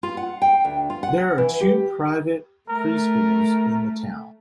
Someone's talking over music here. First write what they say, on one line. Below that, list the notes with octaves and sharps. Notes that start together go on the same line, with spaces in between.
There are two private pre-schools in the town.
F4
F#5
G5
D2
F4
F#5
E3
G4
A3 A#4